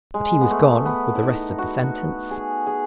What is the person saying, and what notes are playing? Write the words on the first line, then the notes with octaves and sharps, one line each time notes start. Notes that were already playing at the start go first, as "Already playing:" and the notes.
But he was gone with the rest of the sentence.
G#3
B3
A3
B3
E4
D#4
F#4
G#4
G#4